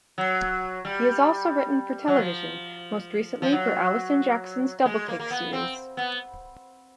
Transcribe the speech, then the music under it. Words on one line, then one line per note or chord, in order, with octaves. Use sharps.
He has also written for television, most recently for Alison Jackson's "Doubletake" series.
F#3
G3
F#3
F3
F3
F#3
G#3
A#3
A#3
B3
C4
B3